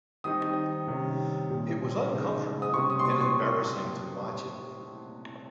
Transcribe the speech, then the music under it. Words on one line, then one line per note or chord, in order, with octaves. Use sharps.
It was uncomfortable and embarrassing to watch it.
D#3 G3 C4 D#4 D#6
C3 D#3 G3 C#4
A#2 G3 C#4
C#3 G#3 D#4
D#6
C3 G3 C#4 C#6
D#6
C6
C#6
C#6